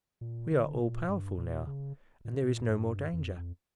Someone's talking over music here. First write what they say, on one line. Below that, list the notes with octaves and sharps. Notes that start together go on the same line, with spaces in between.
We are all-powerful now, and there is no more danger.
A#2
D3
C#3
A#2
G2
A#2
C#3
A#2
C#3
A#2
A2
G2
F2